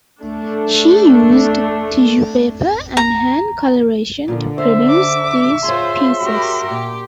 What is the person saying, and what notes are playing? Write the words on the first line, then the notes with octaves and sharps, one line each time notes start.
She used tissue paper and hand colouration to produce these pieces.
A3 D4
A#5
A#2 D3 F3
C5 E5
D6
F4 G#4 C5 C#5 C6
F#4 G4 A#4
A#2 G4